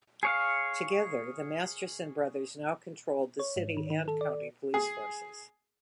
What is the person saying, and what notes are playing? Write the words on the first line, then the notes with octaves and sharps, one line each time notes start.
Together, the Masterson brothers now controlled the city and county police forces.
G#4 C#5 F5
C#5
G#2
D#3
D#3
A4
D5
G#4